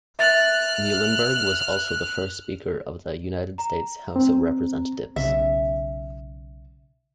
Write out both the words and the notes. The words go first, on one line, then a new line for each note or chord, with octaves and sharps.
Muhlenberg was also the first Speaker of the United States House of Representatives.
E5 F6 F#6 A6
A#5
C4
B1 C#3 E5